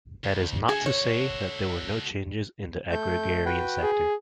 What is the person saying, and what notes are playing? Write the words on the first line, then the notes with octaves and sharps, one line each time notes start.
That is not to say that there were no changes in the agrarian sector.
D2
F#4 G#4 A4
C#5
A3 G6
F#4 B4 G5
G#4